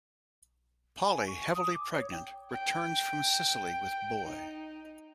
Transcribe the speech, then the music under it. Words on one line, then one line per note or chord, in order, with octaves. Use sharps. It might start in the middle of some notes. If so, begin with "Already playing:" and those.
Polly, heavily pregnant, returns from Sicily with Boy.
G#5
C#6
D#6
D6
C#5
G5
G5
D#4